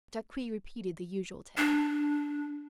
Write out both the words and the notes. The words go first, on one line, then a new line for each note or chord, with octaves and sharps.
Jacques repeated the usual tale.
D4